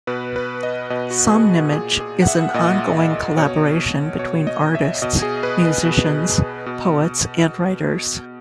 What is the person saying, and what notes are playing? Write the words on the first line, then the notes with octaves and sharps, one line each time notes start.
Somnimage is an ongoing collaboration between artists, musicians, poets and writers.
B2 B4
B4
D#5
B2 D#5
F#4
G#4
F#4
A#2 G#4
G#4
F#5
E5
A#2 D#5
B2 C#5
B2 C#5
D#5
E5
B2 D#5
G#4
B4
D#5
B2
B2